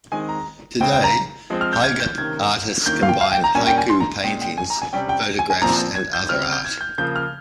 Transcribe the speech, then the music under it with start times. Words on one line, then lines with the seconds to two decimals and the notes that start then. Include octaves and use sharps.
Today, haiga artists combine haiku with paintings, photographs and other art.
0.12 D#3 G#3 C4 G#5
0.29 A#5
0.81 C#3 G#3 C4 G5
0.93 G5
1.04 A#5
1.50 F3 G#3 C4
1.61 F6
1.73 G6
1.84 G#6
2.00 G6
2.17 C3 D#3 A#3 C#4 G#6
2.86 D#3 A#3 C#4 G6
3.03 F5
3.09 G5
3.21 F5
3.32 G5
3.44 A#5
3.55 A#2 G3 A#3 C#4 G#5
3.67 G5
3.78 G#5
3.90 C6
4.00 A#5
4.24 A#2 G#3 C#4 G5
4.42 G5
4.58 G#5
4.70 A#5
4.82 G#5
4.93 C3 G3 C#4 G5
5.09 G5
5.39 G#5
5.50 G#5
5.62 A#2 F3 C4 A#5
5.95 G#6
6.13 G6
6.29 C#3 G3 C4 F6
6.42 F6
6.52 G6
6.65 G#6
6.81 G6
6.98 C#3 F3 A#3 G6
7.16 F6